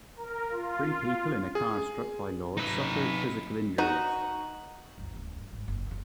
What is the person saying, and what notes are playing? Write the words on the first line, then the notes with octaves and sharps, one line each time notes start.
Three people in a car struck by Laud suffered physical injuries.
A#4
F4
G#4
D#4 B4
D#4 F#4 A#5
G1 D#2
D1 C#4
G2
G#1 G#3
F#1
E2 F3